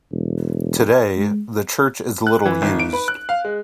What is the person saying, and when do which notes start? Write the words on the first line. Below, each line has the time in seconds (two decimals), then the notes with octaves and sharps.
Today, the church is little used.
0.12 E1
1.17 G#3
2.27 F#6
2.45 E3
2.62 G#1
2.79 D7
2.93 B4
3.08 F#6
3.29 F5
3.45 G#3